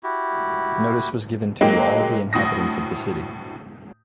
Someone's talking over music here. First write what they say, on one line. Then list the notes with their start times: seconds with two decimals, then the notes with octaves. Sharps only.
Notice was given to all the inhabitants of the city.
0.03 E4 F#4 G4
1.61 F#3 G#3 A#3 D#4 G4
2.33 D2 A2 D#6 A#6